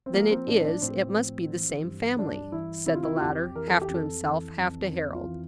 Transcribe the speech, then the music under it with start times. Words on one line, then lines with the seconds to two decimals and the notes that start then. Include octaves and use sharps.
"Then it is, it must be the same family," said the latter, half to himself, half to Harold.
0.06 C4
0.13 F3 A#3
0.31 C4
0.48 A2 D4
0.60 C4
0.65 D4
0.82 A2 C4
1.16 F3
1.50 E3
1.84 G2
2.18 G2 D4
2.52 E3 E4
2.86 C3 E4
2.95 F4
3.03 E4
3.16 F4
3.21 F2 G4
3.55 E3 A#4
3.68 A4
3.82 G4
3.89 F2 A4
4.24 E3
4.57 F2
4.92 F2
5.15 F4
5.25 E3